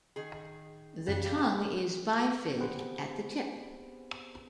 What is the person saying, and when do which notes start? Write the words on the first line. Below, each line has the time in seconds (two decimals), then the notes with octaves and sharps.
The tongue is bifid at the tip.
0.16 D#3 G#4
1.07 F#2 C#3 F#6
1.20 G4 D5 F5
2.57 B3 C4 G4 G#4 B4 C5